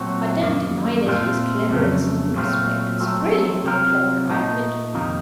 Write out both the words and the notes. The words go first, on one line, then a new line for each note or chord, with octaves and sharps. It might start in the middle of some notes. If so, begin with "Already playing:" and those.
I don't deny that he is clever in some respects--brilliantly clever, I admit.
Already playing: A#2 F#3 A3 C4 F#4
F#2 D#3 A#3
A#2 A3 C4 F4
F2 C#3 F#3 A3
A#2 F#3 A3 C4 F4
F#3 A3 C4
C3 F#3 C4 F4 A#4
A#2 A3 D#4
F2 C3 D#3 A#3 D#4